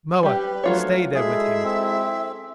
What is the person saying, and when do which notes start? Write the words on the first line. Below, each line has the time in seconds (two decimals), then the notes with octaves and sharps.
Moa, stay there with him.
0.23 G3 G4 B4
0.63 F3 F#3 A3 D4 F4 C#5
1.14 G#3 E4 G#4 A4 E5
1.64 C4